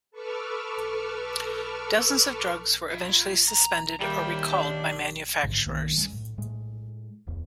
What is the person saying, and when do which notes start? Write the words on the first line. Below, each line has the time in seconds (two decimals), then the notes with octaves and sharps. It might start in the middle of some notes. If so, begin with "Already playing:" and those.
Dozens of drugs were eventually suspended or recalled by manufacturers.
0.11 A4 B4 C#6 D6 E6 F6
2.91 F4 E5
3.48 A#5
4.00 D#2 G3 G4 A#4 E5
4.52 D4
5.43 A1 G#2 D3
5.66 B1 F#2 D#3 A#3
5.97 F#2 G3 G#3
6.13 A2
6.38 A2 G#3
7.27 D1 E2